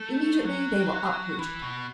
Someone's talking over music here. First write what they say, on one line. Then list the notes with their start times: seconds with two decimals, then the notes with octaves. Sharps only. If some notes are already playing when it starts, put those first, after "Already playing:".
Immediately they were uprooted.
Already playing: A3
0.44 F#3
1.39 E3
1.62 B2